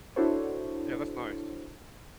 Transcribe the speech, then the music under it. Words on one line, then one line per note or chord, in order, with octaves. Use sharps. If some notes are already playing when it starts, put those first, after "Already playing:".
Yeah, that's nice.
D4 E4 F#4 A4 C5 C#5